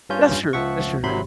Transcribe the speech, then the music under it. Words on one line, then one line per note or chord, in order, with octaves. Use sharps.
That's true that's true.
G2 C#4 F4 G6
C#2 F3 E5 F#5 C#6
G#1 C3 F#3 B5 C6